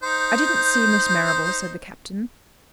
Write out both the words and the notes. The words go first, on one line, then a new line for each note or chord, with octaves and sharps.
"I didn't see Miss Marrable," said the Captain.
D#4 C5